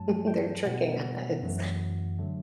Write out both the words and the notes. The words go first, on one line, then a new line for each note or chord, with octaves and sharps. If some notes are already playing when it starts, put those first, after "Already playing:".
they're tricking us.
Already playing: G2 F#3 A3 A5
G5
B2 G3 B3 F#5
F#2 E3 A3
D3 F#3 A3